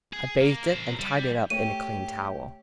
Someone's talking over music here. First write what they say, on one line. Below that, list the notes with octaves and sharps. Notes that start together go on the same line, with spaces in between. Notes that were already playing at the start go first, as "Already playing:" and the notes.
I bathed it, and tied it up in a clean towel.
G#4
A#3
A#4 C5
G3
A3 G4 C#5 D#7